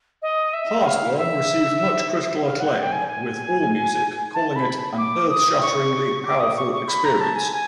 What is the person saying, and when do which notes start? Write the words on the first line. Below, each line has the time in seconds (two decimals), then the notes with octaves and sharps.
"Heartworm" received much critical acclaim, with "Allmusic" calling it "an earth-shatteringly powerful experience".
0.22 D#5
0.53 E5
0.85 F5
1.17 E5
2.43 F5
2.60 F#5
2.81 G5
2.92 G#5
3.08 G#5
4.34 A5
4.56 B5
4.98 D6
5.30 D#6
5.62 C#6
6.25 D6
6.40 D#6
6.57 C#6
6.73 C#6
6.88 B5
7.05 A#5
7.20 A5
7.36 G#5
7.52 G#5